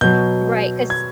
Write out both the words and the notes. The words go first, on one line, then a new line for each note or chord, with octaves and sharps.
Right, 'cause
B2 F#3 G6
G#6